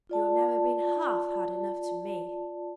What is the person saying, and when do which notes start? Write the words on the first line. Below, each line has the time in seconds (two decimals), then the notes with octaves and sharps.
You have never been half hard enough to me.
0.09 F4 D5 A5